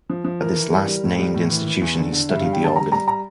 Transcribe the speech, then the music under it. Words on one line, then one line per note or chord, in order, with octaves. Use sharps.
At this last-named institution, he studied the organ.
F3
F3
E3 A#4
E3
G3
G3
A2
G3
A2
E3
E3
E2
D3
D3
G2 E5
F5
G2
G5
D3 A5
G3 A#5
G3 A#5
A#5